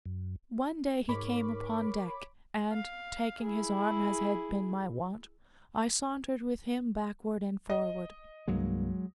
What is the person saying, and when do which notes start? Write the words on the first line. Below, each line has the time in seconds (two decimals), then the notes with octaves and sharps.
One day he came upon deck, and, taking his arm as had been my wont, I sauntered with him backward and forward.
0.05 F#2
1.09 G#2 A#4 C#5 B5 D6
2.72 F5
3.42 E4 G#4
7.70 D#5
8.48 C2 G2 F#3 G#3 A#3